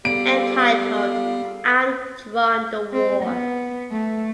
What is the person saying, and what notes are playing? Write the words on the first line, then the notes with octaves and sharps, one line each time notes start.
Entitled ""I’ve Drawn the War.
G3 B3 G#4 A4 F5 D7
C4
B3
A3